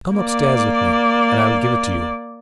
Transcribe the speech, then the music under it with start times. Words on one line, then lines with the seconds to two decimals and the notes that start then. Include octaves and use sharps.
"Come up-stairs with me, and I will give it to you."
0.16 A#3 D5